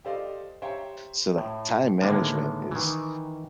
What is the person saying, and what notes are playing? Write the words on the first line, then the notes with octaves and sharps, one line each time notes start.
So, like, time management is
G4 A4 C5 D5 D#5 F5
G4 C5 C#5 E5 G5 A#5
A2
A2 D3 D#3 G#3 A#3 B3
D#3 E3